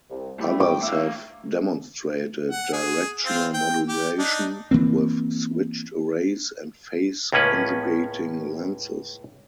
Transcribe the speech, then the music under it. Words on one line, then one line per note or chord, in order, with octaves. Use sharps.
Others have demonstrated directional modulation with switched arrays and phase-conjugating lenses.
C2
G3 A3 E4
G5 D6
A3 E4 E5 F5 E6
F#5
G#4
C4 F4
G5
G4
D4 D#4
E3 F3 A#3 C4
C#2 A2 A#3 C#4 B4